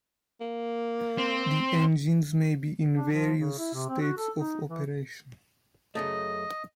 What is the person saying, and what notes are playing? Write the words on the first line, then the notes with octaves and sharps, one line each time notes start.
The engines may be in various states of operation.
A#3
C4
D4
F3
C#3
E4
C3
C4
F#4
A4
D#4
E3
F#2 C#3 A3 D#5